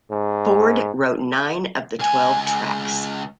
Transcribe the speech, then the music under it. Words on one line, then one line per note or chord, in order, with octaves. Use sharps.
Ford wrote nine of the twelve tracks.
G#2
C#2 G#5